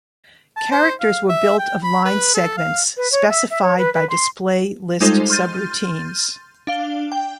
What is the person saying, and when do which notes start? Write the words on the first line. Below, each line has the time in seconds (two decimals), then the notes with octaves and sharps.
Characters were built of line segments specified by display list subroutines.
0.57 A5
0.72 C5
1.01 F5
1.29 E5
1.59 G5
1.83 B5
2.05 B4
2.35 A4
2.57 F5
2.97 B4
3.12 C#5
3.29 E5
3.50 E5
3.62 C#5
3.77 B4
3.94 B4
4.09 C6
5.00 G3 G#3 D#4 F4 A4 C5
5.30 C6 F6 G6 A6 D#7
6.67 D4 F5 G7
7.12 G5